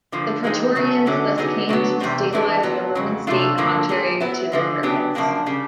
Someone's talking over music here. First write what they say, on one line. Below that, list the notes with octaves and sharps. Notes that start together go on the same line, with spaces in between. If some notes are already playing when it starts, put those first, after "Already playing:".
The praetorians thus came to destabilize the Roman state, contrary to their purpose.
G2 D3 F3 A#3
E3 G#3 C4 D#4
C#3 F#3 A3
F#2 D3 F#3 A3 C#4
D3 F#3 B3 D#4 G#4
D3 F#3 B3
E2 C3 E3 G3 C4
G2 E3 A3 D4
A#2 F#3 B3
F2 C#3 F#3
C3 F3 A3 D4 F4
G2 D3 F3 A#3 D4
A#2 G3 G#4
F#3 B3 E4
D3 F3 G#3
C#3 F#3 B3 D4 G4
F#2 C#3 F3 A#3 D4
C#3 G3